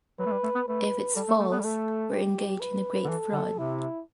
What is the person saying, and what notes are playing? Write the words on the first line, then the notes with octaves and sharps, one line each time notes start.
If it's false, we're engaged in a great fraud.
F#3 B4
A3
G3
A3
B3
A3 B4
G3 A4
A3
A3
B3
G3
A3 A4
G4
B4
D3
E3 A4
D3
C3 E4